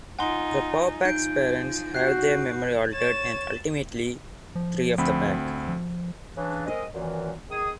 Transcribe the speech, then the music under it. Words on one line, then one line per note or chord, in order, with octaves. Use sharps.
The Power Pack's parents have their memory altered and ultimately, three of the Pack.
D#4 F4 F#5 G#5 C6 G7
F3 D#4 G6 D7
F#4 F#6 G6 C7
C#5 A6 E7
F3
D2 C4 B5
F3
C#3 E3 D4
G#3 C4 A#4 D#5
F#2 A#2 D#3 E3
D#3 G#4 D#6